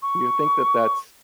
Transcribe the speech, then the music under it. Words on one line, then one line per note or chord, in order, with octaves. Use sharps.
Do you think that that's
C#6